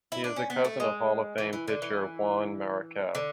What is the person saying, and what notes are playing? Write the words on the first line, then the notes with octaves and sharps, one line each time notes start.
He is a cousin of Hall of Fame pitcher Juan Marichal.
E4
D4
C#4
B3
A3
G#3
E3
E3
D3
E3
D3